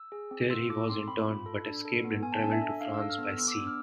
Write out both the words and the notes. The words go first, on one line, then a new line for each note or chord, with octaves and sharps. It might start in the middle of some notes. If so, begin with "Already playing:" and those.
There he was interned, but escaped and travelled to France by sea.
Already playing: E6
G#4
C4
F4 E6
A4 D6
C4 C6
C4 B5
F4
A4
D4
A4
B3
B3 G#5
A5
D4 G#5
E5
A4
D4 F5
E6
A4
F6
B3
E6
B3 E6
D6
D4 E6
F6